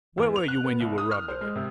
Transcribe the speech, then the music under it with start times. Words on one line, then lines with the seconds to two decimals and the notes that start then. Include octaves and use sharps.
"Where were you when you were robbed of it?"
0.18 E2
0.36 F7
0.48 F#6
0.64 B3
0.80 C2
0.98 D#6
1.11 F6
1.28 C5
1.41 G#3
1.56 C3